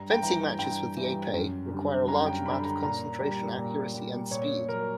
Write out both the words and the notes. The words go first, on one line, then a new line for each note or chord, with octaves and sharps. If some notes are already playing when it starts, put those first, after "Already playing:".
Fencing matches with the épée require a large amount of concentration, accuracy and speed.
Already playing: G2 A#5
G5
E3 G3 A#5
G2 G5
E3 G3
F#2
D3 G3
F#2 A#5
G5
D3 G3 B5
A#5
A#2 A#5
G3
A#2
G3
A#2 C#5
F#3 A#4